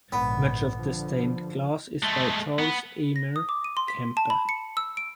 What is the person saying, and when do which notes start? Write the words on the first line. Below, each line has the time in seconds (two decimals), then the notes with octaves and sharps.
Much of the stained glass is by Charles Eamer Kempe.
0.12 A#1 G#2 D3 B3
0.80 D3 F3
2.03 G#3 A3
2.58 B3
3.16 A#6
3.36 D#6
3.49 D6
3.64 D#7
3.77 C6
3.88 B6
4.17 A5
4.30 B5
4.49 C#7
4.77 E6
4.97 D7